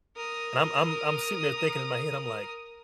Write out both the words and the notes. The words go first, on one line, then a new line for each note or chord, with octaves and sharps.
and I'm I'm I'm sitting there thinking in my head, I'm like,
A#4 D#6